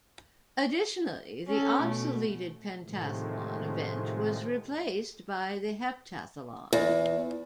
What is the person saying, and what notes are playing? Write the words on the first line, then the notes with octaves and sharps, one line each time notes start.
Additionally, the obsoleted pentathlon event was replaced by the heptathlon.
C#4 A4
B2 A3
A2 C3 D#3 F3 G#3 A3
E2